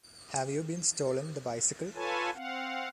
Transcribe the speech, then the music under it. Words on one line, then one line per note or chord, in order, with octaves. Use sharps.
Have you been stolen the bicycle?
F4 A4 B4 C#5 G#5 A5
C4 F5 F#5